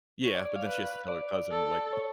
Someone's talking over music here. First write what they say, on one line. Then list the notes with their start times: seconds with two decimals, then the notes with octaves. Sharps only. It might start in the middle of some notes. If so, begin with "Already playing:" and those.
Yeah, but then she has to tell her cousin, like,
0.25 C#5
0.35 D5
0.45 D5
0.56 F5
0.66 B4
1.08 D5
1.51 A4
1.93 C#5